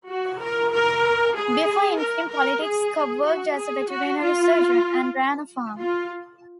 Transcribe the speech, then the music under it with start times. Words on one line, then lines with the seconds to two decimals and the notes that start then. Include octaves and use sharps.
Before entering politics Cobb worked as a veterinary surgeon and ran a farm.
0.08 F#4
0.40 A#4
0.73 A#4
1.35 G#4
1.99 A#4
2.30 A#4
2.62 G#4
3.26 F#4
3.57 G#4
3.89 F#4
4.21 F4
5.79 F4